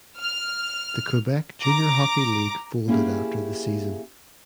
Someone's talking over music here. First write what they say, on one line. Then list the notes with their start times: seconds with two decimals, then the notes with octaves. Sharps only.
The Quebec Junior Hockey League folded after the season.
0.19 F6
1.61 A#5 D6
2.88 A#3 C#4 E4 G4 G#4